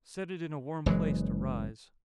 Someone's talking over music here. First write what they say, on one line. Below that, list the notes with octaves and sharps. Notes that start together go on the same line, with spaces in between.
Set it in a warm place to rise.
F#1 E3 F#3 G#3